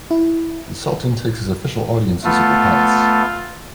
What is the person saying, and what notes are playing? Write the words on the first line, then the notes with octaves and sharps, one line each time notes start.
The Sultan takes his official audiences at the palace.
E4
A3 B3 F4